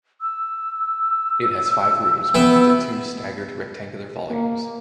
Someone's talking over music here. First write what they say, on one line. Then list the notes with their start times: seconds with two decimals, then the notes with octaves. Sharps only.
It has five rooms grouped into two staggered rectangular volumes.
0.21 E6
2.35 B3 E5 G5
4.29 A#3